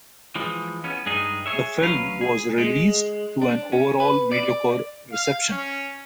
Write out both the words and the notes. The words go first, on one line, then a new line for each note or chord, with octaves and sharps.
The film was released to an overall mediocre reception.
E3 F3 G#3
B3 C#4
G2 G3 G#3 D#4 G#4
G#4 C#5 E5
D2 F#3 C#4 B4 F5
G#4
G#3
D4
C#4
B4
D5
F5
C#4